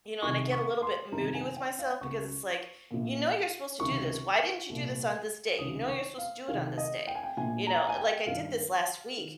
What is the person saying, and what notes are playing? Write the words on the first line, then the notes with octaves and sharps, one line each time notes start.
You know, and I get a little bit moody with myself because it's like, "You know you're supposed to do this. Why didn't you do this on this day? You know you're supposed to do it on this day." You know, it like, "I did this last week."
C2 C3 D#3 C#6
C#6
C6
G1 F2 C3 D#3 A#5
G#5
G5
F5
C#2 C#3 C#6
A#1 A#2
C#2 C3 D#3 C#6
C2 A#2
C#2 C3 D#3 D#6
C#6
F5
C2 C3 D#3 F5
D#5
G5
G#5
G5
A#1 A#2 G#5
A#5
G#5
G5
G#1 G2 D#3 F5
D#3